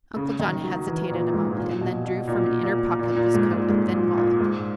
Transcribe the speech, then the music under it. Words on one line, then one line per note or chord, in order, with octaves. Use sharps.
Uncle John hesitated a moment, and then drew from an inner pocket of his coat a thin wallet.
C#3
D#3
F#3
E3
A#2
G#2
A#2
B2
B2
A#2
A#2
A#2
A#2
G#2
A#2
G#2
A#2
A#2
G#2